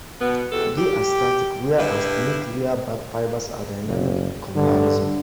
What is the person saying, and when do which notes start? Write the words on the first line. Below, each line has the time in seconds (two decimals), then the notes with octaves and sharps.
They are static, whereas the nuclear bag fibers are dynamic in comparison.
0.21 B2 B3
0.52 E2 C3 F#4 A4
0.78 G4
1.79 G2 E4 G4 B4
3.86 F#1
4.56 G2 D3